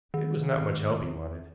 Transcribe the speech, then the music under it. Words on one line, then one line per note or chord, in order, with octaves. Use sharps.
It was not much help he wanted.
D#3